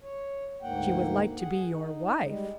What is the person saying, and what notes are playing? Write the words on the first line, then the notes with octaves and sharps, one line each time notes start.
"She would like to be your wife!"
C#5
D2 G#2 A#3 F#5 G5
G#4 F#5
D#4
G3 G#3